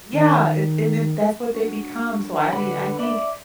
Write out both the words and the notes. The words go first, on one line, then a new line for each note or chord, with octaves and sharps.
Yeah, it's and then, that's what they become, so I mean, I think,
D#3
D4 F#4
D3 B4 F#5 B5
D5 E5 D6